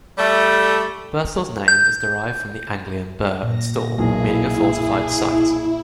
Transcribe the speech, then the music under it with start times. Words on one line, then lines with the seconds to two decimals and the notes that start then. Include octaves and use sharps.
Birstall's name is derived from the Anglian "burh" and "stall" meaning a fortified site.
0.18 G3 A3
1.68 G6
3.43 A#2 A#6
3.98 B1 E2 A#3 E4 G#4